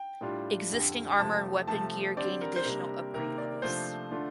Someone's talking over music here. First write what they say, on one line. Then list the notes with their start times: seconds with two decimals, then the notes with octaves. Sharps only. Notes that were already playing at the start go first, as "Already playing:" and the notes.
Existing armor and weapon gear gained additional upgrade levels.
Already playing: G5
0.21 A2 G3 D4 F4
0.70 F2 D3 G3
1.19 C3 F3 A3 A5
1.67 C3 F3 A3 A5
2.16 D3 G3 C4 D5
2.42 A#4
2.56 C5
2.65 C3 G3 A#3 D4 A#4
3.14 C3 D#3 A#3 A#4
3.38 D5
3.62 C3 F3 A3 D4 F4 C5
4.11 D3 A3 D4 F4